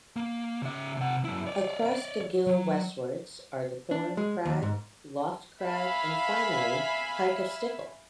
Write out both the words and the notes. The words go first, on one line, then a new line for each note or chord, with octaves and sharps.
Across the Ghyll westwards are Thorn Crag, Loft Crag and finally Pike of Stickle.
A#3
C#3 E5
C3 F#5
F#2 E4
C#5 D5
F#3
D4
G#3
D#2
G#2
E5 F5 G#5 B5